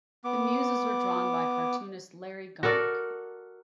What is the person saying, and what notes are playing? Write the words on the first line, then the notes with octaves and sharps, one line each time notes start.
The Muses were drawn by cartoonist Larry Gonick.
B3 D6
F#4 A4 A#4 D5